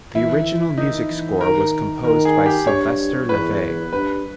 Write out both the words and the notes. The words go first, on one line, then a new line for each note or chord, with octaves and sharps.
The original music score was composed by Sylvester Levay.
E3 E4
D#3 D#4
E3
D#3 A#4
D#3 A#4
G#4
G4
G2 C#5
E2 B4
G2 B4